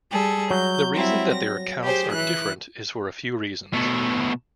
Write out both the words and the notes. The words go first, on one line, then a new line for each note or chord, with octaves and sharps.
The reason that their accounts are different is for a few reasons.
G3 G#4 A4
F#3 G6
G3 C4 E4
A#6
G4 G#4 C5
E3 F#6
B2 A3